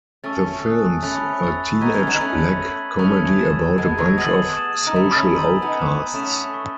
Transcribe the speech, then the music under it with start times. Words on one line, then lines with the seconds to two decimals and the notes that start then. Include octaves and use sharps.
The film's a teenage black comedy about a bunch of social outcasts.
0.24 A3 C#4 A5 C#6 E6 A6
0.63 G#5 D#6 F#6
1.02 A3 C#4 G#5 B5 F#6 A6
1.42 C#6 E6 A6
1.81 B3 D#4 C#6 G#6 B6 D#7
1.94 A3 C#4
2.07 B3 D#4
2.20 A3 C#4 B5 F#6 A6 D#7 F#7
2.60 E6 A6 D#7 F#7
2.99 A3 C#4 D#6 G#6 D#7
3.39 E6 A6 E7
3.78 G#3 B3 A5 E6 G#6
3.98 F#3 A3
4.17 G#3 B3 D#6 A6 D#7 F#7
4.57 D#6 A6 E7
4.87 D#4
4.96 A3 C#4 B5 E6 B6 E7
5.16 A3 C#4
5.35 D#4 G#5 D#6 A6 D#7 F#7
5.62 B3 D#4
5.75 F#6 A6 E7
6.14 A3 C#4 D#6 A6 E7
6.54 C#6 E6 B6